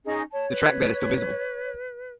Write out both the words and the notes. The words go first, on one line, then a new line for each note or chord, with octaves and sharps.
The trackbed is still visible.
C#4 D#4 G#4
C#5 A5
B4